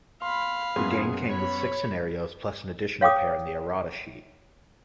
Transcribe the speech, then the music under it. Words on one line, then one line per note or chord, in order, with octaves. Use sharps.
The game came with six scenarios, plus an additional pair in the errata sheet.
F5 B5 C6
F#2 B3 G#4 C6
C#5 B5
C#5 F5 G5 D6 D#6